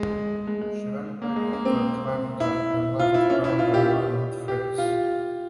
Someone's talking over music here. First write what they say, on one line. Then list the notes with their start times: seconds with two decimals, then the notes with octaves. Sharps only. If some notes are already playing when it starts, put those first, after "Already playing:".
She went back to Atlanta and left Brenda alone with Fritz.
Already playing: G#3
0.47 G#3
0.61 G#3
1.22 A#3
1.36 G#3
1.53 A#3
1.65 C4
2.40 E4
2.99 F4
3.14 E4
3.30 C#4
3.44 E4
3.59 F4
3.74 G4
4.48 G4
4.78 F4